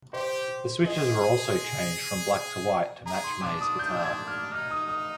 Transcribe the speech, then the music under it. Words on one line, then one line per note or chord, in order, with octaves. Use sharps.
The switches were also changed from black to white to match May's guitar.
G4 C5
G#4 D#5
G#5
G#4
G#4 A#5
C6
D4 D6
D#6
G6
G#6
F6
D#4 F6
D#6
D#6